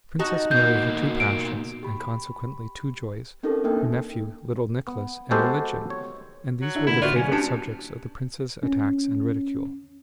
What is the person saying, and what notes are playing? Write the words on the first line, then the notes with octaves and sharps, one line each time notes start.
Princess Mary had two passions and consequently two joys--her nephew, little Nicholas, and religion--and these were the favorite subjects of the prince's attacks and ridicule.
D#4 F#4 A5
B2 A#3 G6
D7
G4 B5
C4 C#4 D#4 G4 A4 A#4
A#3 D4 D#4 A4 G5
B3
G#3 B3 F#4 G4 A4 C5
C#5
F#3
D4 E4 E5
A2 D3 A#3 E4
F4 F#4 B4 D5
F#3 C#4
G2 C#4 D4 G4 A5
C#4